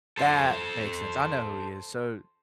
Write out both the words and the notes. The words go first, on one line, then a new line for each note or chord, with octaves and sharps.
That makes sense, I know who he is, so
A4 C5